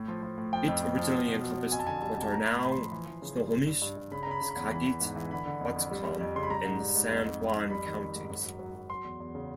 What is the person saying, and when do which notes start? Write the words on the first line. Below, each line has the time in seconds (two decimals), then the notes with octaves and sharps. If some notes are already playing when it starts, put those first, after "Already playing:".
It originally encompassed what are now Snohomish, Skagit, Whatcom, and San Juan Counties.
Already playing: A2
0.08 F3
0.23 F3
0.38 A2
0.53 F3 G5
0.68 F2
0.83 F2
0.98 F3
1.12 B2
1.28 B2
1.42 F#3
1.57 F#3
1.72 F2 G#5
1.79 A5
1.87 D3 G#5
2.02 G3 A5
2.17 F2 A5
2.32 A2 A#5
2.47 A2 B5
2.62 A2
2.72 F3 C6
2.92 E3
3.07 E3
3.22 C#3
3.37 G3
3.52 G2
3.67 G2
3.82 G2
3.96 G2
4.12 C#3 B5
4.23 A#5
4.27 C#3 B5
4.41 C#3
4.51 B5
4.56 E2
4.71 E3 B5
4.86 E3
5.01 G#2
5.16 E3
5.31 D3 B5
5.46 D3
5.61 F2
5.76 F2
5.91 G3
6.06 G3
6.21 F2
6.35 C#3 C6
6.43 B5
6.50 G3 A#5
6.65 G#2
6.80 G3
6.96 G#2
7.10 F2
7.25 F2
7.40 F2
7.55 F2
7.70 G3 B5
7.85 D#3
8.00 G3
8.15 G#2
8.30 F#2
8.45 F#3
8.59 F#3
8.75 F#3
8.90 F#3 C6
9.04 E2
9.20 E2
9.35 C#3